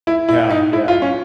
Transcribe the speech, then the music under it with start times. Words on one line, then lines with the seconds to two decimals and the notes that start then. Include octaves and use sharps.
Yeah, yeah.
0.07 E4
0.29 E4
0.50 D#4
0.73 E4
0.88 F4
1.02 C#4